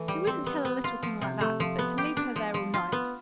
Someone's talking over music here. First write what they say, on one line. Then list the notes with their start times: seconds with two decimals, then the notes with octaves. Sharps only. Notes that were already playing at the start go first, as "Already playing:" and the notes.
She wouldn't tell a little thing like that, but to leave her there all night.
Already playing: E3 A3
0.08 G3
0.27 C4
0.46 B3
0.65 B3
0.84 F4
1.03 F3
1.21 C3
1.41 A3
1.60 F3
1.78 B3
1.98 G4
2.17 D4
2.36 F3
2.54 F3
2.74 F4
2.92 B3